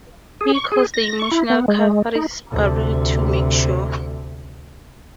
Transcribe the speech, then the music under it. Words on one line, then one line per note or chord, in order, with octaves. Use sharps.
He calls the Emotional Catharsis Bureau to make sure.
G#4
C#6
G#4
A#6
C#6
E4
B3
G#3
D#4
D2 C3